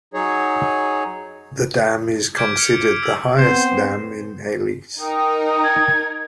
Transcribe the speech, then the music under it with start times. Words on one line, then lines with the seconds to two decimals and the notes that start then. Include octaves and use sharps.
The dam is considered the highest dam in Elis.
0.14 F#3 D#4 G#4 C#5
2.37 D6 F6 G6 G#6 B6 D7
2.57 F6 C#7 F7
3.03 E6
3.38 B3 C4 C5
5.00 D#4 A#4 D#5 G5 D#6
5.64 G#6